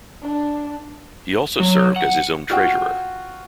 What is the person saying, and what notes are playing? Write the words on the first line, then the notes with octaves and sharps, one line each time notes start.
He also served as his own Treasurer.
D4
F#3
F#5
F4 F#4 G5